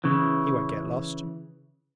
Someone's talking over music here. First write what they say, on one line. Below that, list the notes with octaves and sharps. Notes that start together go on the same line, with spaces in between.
'He won't get lost.
C#3 E3